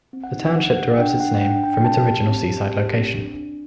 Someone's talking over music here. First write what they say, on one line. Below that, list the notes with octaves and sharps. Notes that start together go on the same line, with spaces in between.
The township derives its name from its original seaside location.
C4
F#5
D#4
D4 F#5
G4 F#5
D4 G5
D4 F#5
D4 G5
D4 G5
G5
C4 A5
G4
C4
G4
G4
C4
D4
D4